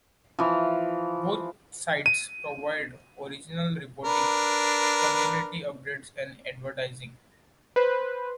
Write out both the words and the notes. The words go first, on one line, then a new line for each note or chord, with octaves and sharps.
Both sites provide original reporting, community updates and advertising.
E3 F3
D#7
D4 A#4 B4
B4 C5